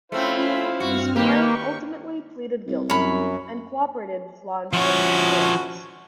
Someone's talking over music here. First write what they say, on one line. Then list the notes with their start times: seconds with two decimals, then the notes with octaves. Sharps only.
His client ultimately pleaded guilty and cooperated with law enforcement authorities.
0.12 A3 C4 C#4 E4 F4 C5 F5 B5
0.80 G2 C4 F#4 F6
1.16 D#3 A#3 G4 B4 C#6
2.67 C2
2.90 F#2 C#5 B5
4.73 F3 C#4 E4 F#4 C#5